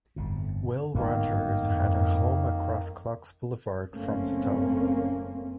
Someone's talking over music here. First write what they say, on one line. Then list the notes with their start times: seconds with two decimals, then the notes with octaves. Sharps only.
Will Rogers had a home across Clocks Boulevard from Stone.
0.16 G1 F2 A2
0.95 G1 G#2 D#3 A#3 B3
1.58 F2
3.93 F#1 A3 A#3 C4 C#4